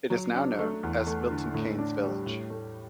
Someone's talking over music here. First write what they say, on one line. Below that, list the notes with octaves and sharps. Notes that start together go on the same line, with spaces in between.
It is now known as "Milton Keynes Village".
F#3
D4
A3
E2
A3
D3
A2
D4
G3
A2
A3